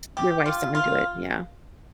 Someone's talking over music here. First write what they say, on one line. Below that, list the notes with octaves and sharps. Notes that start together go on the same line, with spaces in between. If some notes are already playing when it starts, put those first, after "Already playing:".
Your wife's onto it, yeah.
G4
F4
F4